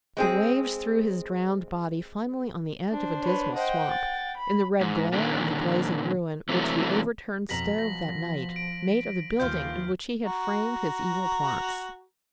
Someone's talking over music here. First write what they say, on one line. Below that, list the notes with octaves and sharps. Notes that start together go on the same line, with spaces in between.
The waves threw his drowned body finally on the edge of a dismal swamp, in the red glare of the blazing ruin which the overturned stove that night made of the building in which he had framed his evil plots.
G#3 C4 G#4
D4 C5
B4 C#5
C5 D#5 F#5 G5
A6
B5
G#2
A#2 D3 D#3
C3 E3 F#3 A3
F2 B2 A#4 A#5 A#6 B6 F#7
F3 A#6
D7
D#2 E3 F3 F4 F6 G6
F#4 A#5